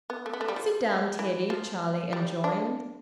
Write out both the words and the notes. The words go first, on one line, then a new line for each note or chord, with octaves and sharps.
"Sit down, Teddy," Charlie enjoined.
B3
A3
B3
A3
G3
F3
E3
F3
G3
D4